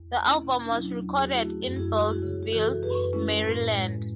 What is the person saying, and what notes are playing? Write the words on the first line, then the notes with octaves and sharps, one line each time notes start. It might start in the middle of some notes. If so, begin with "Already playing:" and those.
The album was recorded in Beltsville, Maryland.
Already playing: E2
A3
C#4 E4
B2
D4
F#3 C#4 E4
E2
G#4
F#4
A3 E4 G#4
F#2 G#4
F#4
E4 G#4
G#3 F#4
E4 G#4
C#3
G#4
E3 F#4 A4
F#2 G#4 B4
G#3 C#4 E4
A2
G#3